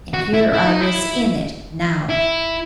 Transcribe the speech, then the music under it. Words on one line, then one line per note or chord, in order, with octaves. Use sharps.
And here I was IN it now.
F#4
E4
E4
D#4
E4
E4